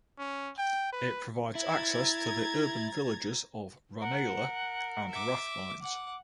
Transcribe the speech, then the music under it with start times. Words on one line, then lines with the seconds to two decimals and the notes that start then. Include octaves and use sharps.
It provides access to the urban villages of Ranelagh and Rathmines.
0.19 C#4
0.58 G5
0.93 B4
1.55 E4 A#5 G#6 A6
4.01 A#4 F#5
5.10 E5 D6
5.82 F#5 D6